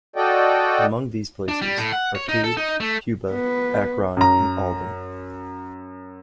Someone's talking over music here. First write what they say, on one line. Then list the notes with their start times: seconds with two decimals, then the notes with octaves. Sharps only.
Among these places: Arcade, Cuba, Akron, and Alden.
0.16 F#4 A4 D5 D#5 G5
1.48 D4
1.62 G3
1.77 A2
1.93 F#5
2.15 C#5
2.29 D#4
2.44 A4
2.57 D#4
2.80 A3
3.30 B3 B4
4.17 F#2 A#5